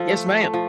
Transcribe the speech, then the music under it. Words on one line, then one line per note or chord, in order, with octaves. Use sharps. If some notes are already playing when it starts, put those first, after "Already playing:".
Yes, ma'am.
Already playing: F3 A4
A3
A4
A3
F3